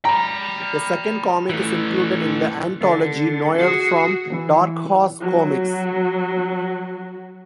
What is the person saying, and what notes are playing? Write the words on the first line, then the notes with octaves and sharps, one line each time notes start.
A second comic is included in the anthology "Noir", from Dark Horse Comics.
G5 A#5 B5
E3 A3
D3
F#4 G#4
E3
F#3 F#4